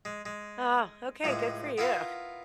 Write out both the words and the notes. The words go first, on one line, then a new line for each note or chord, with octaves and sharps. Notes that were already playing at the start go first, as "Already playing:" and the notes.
Oh, okay, good for you.
G#3
G#3
C#2 A2 G#3
B3 E4 F4 A#4